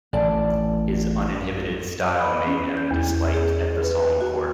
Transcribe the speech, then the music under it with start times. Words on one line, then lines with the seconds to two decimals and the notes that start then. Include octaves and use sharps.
His uninhibited style made him disliked at the Song court.
0.13 A1 D5 A5
2.19 B5
2.47 C#4
2.77 G6
2.91 E2
3.34 G#4
3.83 B4
4.21 F#4